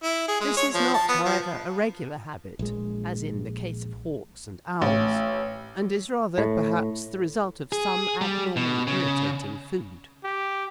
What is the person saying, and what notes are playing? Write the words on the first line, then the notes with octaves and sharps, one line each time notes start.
This is not, however, a regular habit, as in the case of hawks and owls, and is rather, perhaps, the result of some abnormally irritating food.
E4
G#4
G#3
C#5
F3
A5
B3
F3
A#1 G#3
A1
A2
G#4
G3
B2
C#3
G4